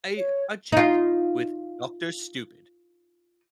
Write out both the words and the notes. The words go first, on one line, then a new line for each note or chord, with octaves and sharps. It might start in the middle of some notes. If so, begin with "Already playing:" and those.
a a chat with Doctor Stupid."
C#5
D#4 F4